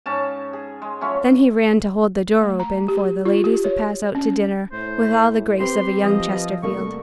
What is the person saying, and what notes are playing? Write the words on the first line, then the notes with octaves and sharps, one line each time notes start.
Then he ran to hold the door open for the ladies to pass out to dinner, with all the grace of a young Chesterfield.
G#2 C#4 A5
G#4
G#3
F#3 A3 C#4 F4
A3
A#5
G4
F4
G4
C#5
C#4
A2 C5
C4 G4 B4 C6
F3 D#5
C2 A3 A#3 C#6